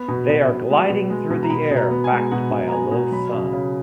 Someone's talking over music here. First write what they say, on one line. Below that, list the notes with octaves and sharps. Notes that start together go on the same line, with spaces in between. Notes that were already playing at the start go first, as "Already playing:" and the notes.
They are gliding through the air, backed by a low sun.
Already playing: B3 B5
B2
B2
B2
G#3
B2
G#3
B2
A#5
B2 B5
B2
A#5
B3
G#5
G#3
B2 F#5
B2
A#5
B3 G#5
B2
F#3 B5
C#3
C#3